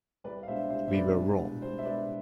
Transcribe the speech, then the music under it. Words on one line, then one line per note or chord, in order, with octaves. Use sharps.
We were wrong.
C2 B4 D5
F5
B2 G#3 D4 C5 E5
C2 C5 E5
E5
B2 G#3 D4 B4 D5
C2
B2 G#3 D4
C2 C5
E5
B2 G#3 D4 B4 D5